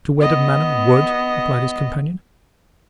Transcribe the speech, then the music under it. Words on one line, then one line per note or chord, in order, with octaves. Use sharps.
"To wed a man of wood," replied his companion.
B3 D#5